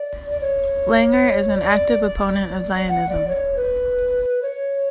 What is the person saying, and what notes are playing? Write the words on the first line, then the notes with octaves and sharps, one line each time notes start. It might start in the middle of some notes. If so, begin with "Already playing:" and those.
Langer is an active opponent of Zionism.
Already playing: D5
D5
C#5
D5
F#5
D5
C#5
B4
C#5